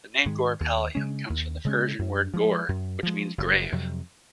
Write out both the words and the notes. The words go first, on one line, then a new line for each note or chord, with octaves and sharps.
The name Gorippalayam comes from the Persian word "gor" which means "grave".
G#2 D#3 G#3
D#2
C#3 G#3 C#4
D#2
C#3 G#3 C#4
F#2
F3 G#3
F#2
F3 G#3
F#1
F2 C3 F#3